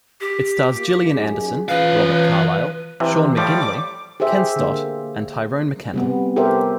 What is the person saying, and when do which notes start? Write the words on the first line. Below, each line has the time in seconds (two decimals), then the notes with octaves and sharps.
It stars Gillian Anderson, Robert Carlyle, Sean McGinley, Ken Stott and Tyrone McKenna.
0.21 G4
0.76 A#3 F4
1.15 F#2 D#4 G#4
1.69 E3 C#4 F4 B4 F5
3.00 C3 E3
3.37 A2 F3 G3 D6
4.20 G4 G#4 C5 E5
4.56 D3 A#3
5.94 C3 G3 B3
6.36 G4 A4 A#4 C5 E5